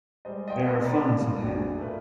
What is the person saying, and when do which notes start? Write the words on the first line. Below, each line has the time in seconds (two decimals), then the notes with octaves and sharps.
There are funds in hand.
0.25 G3 G#3 C5 D5 D#5
0.48 D#5 F5 G5 C6 D#6
0.84 A#4 D5 A#5 B5
1.15 G2 A#2 F4
1.38 A#1 F2 D4 F#4 D5 G#5
1.78 A3 F4 A#4 B4